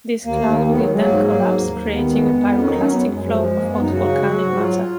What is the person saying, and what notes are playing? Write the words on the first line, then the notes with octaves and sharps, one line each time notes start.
This cloud will then collapse, creating a pyroclastic flow of hot volcanic matter.
D#2 A#3
D#2
D#3 A#3
B3
F#3
F#3 G#3
G#2 A#3
F#3 A#3
G#2
D#2
D#2
D#3 B3
G#3
F2
F2
D#3 C#4
D#4
F#3
C#4
F#2 B3
G#3
F#2
G#3
F3 G#3
G#3
F#2 A#3
B3
F#2
D#4
C#3 F#4
G#3
F#3
G#2
F#3 F4